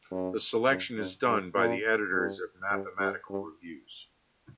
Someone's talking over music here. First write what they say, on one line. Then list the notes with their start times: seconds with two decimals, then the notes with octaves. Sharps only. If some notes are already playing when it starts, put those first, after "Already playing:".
The selection is done by the editors of "Mathematical Reviews".
0.11 F#2
0.69 F#2
0.98 F#2
1.27 G2
1.56 A#2
2.13 G2
2.71 G2
3.00 G2
3.30 G2